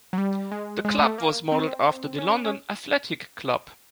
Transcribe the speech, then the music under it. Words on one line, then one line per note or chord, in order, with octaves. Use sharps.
The club was modeled after the London Athletic Club.
F#3
G3
G#3
G#3
A3
A#3
C4
C#4
C#4